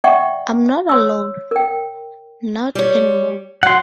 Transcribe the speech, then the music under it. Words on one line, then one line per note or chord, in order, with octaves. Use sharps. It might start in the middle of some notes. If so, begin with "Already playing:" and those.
I'm not alone... not anymore.
D5 E5 F#5 G5 C#6
C#5 C6 E6
A#4 G5
G3 C#5
F#3 F#5 C6